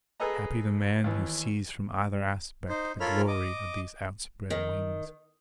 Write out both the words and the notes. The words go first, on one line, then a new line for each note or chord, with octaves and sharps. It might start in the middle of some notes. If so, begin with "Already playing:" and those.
Happy the man who sees from either aspect the glory of these outspread wings.
G#4 A4 B4 D#5 A#5
D#2 E3
D#4 C5
F4 A4 A#4 C#5 B5 F6
D#5 D6
D#3